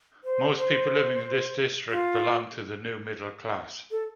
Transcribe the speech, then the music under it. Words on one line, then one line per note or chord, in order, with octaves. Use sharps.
Most people living in this district belong to the new middle class.
C5
C5
F4
A4